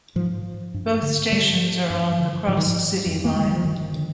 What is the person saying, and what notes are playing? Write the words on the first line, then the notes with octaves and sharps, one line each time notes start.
Both stations are on the Cross-City Line.
G#2 F3
G2
D3
G#2 G3
G2
D3
G#2 F3
D#3
F3
F2
A#3
D3 G#3
G3
F3
G2 D#3
D3